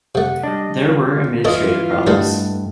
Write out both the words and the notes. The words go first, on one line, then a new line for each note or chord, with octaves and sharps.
There were administrative problems.
C3 A3 F#5
G3 D4 D#5
F4
E3 F4 A4 C#5 D#5
G2 E3 G3 A3 A#4 D#5 F#5